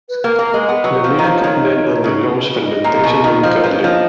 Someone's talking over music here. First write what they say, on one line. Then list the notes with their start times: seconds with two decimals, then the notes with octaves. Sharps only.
The milk then undergoes fermentation and curdling.
0.09 B4
0.24 A#3 A#4
0.39 A#3
0.54 G#3
0.69 B3
0.84 F#3 B4
1.04 F3
1.14 D#3 C#5
1.24 F3
1.44 D#3
2.04 C#3
2.64 D#5
2.84 A#2
3.04 B2
3.24 D#3
3.43 F3
3.54 A#4
3.64 F3 B4
3.74 C#5
3.84 F3 D#5